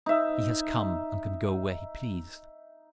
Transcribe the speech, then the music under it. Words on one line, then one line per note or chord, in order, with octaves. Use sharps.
He has come and can go when he please.
D#4 E5